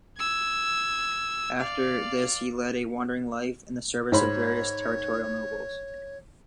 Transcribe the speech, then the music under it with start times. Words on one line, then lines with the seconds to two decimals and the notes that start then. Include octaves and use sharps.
After this he led a wandering life in the service of various territorial nobles.
0.18 E6 G#6
1.60 D5 F5
4.12 G#2 C5 C#5 B5